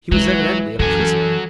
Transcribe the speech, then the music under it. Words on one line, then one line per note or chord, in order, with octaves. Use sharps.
He was evidently a prisoner.
E3 F#3 G#3
F#2 E3 F#3 A4 G#5